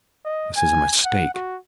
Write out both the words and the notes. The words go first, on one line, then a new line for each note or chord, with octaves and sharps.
This is a mistake.
D#5
G#5
F#5
F#4